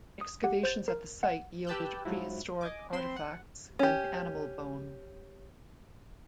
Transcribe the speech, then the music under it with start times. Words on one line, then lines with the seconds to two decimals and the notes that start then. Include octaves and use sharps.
Excavations at the site yielded Prehistoric artifacts and animal bone.
0.21 D#6
0.44 G4 F#5
0.63 C5 G6 A6
0.88 A#4
1.23 F#5
1.67 G4 B4 A5 E6 F#6 G6
2.05 G#2 F3 F#3 E4
2.61 D#5 G#5 D6
2.93 C4 B5 C6 E7
3.16 F#5
3.79 C#4 G4